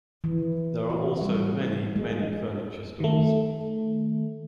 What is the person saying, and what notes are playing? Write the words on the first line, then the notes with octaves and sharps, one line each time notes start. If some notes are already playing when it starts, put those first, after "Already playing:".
There are also many, many furniture stores.
E3
F#4
G3
G#3
D#3 A3